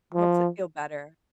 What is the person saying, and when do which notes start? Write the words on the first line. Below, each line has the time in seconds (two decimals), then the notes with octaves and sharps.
helps it feel better.
0.14 F3